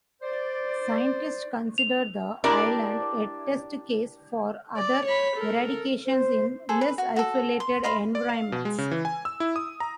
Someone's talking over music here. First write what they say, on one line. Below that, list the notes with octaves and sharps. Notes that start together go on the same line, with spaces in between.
Scientists considered the island a test case for other eradications in less isolated environments.
C5 D5
F7
D4 E4 G4 A#4 D5
D5
C#5 B5
A4 A#4
C5
G#4 A4 C5
B4
F#4
F#4 A4
C6
D#5 F5 B5 C6
D5
F5
B2
G#3
C#3
E3
G#5
E6
E4
D#6
A#5